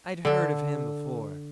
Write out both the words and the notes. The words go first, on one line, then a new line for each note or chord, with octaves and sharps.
I had heard of him before.
D3 A4